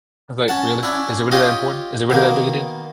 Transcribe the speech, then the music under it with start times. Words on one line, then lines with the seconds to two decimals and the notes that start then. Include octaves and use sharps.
I was like, really? Is it really that important? Is it really that big a deal?
0.48 C#4 F#5 A5
0.83 C#4 D4 E4
1.32 F4 G4 C#5 D#5
2.10 B2 D#3 A#3